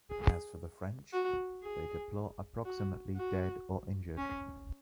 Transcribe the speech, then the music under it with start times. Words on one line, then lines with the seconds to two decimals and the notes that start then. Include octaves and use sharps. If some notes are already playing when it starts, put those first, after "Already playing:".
As for the French, they deplore approximately dead or injured.
0.10 G#4
1.13 F#4
1.63 G#4
2.65 F#4
3.16 F#4
4.17 C#4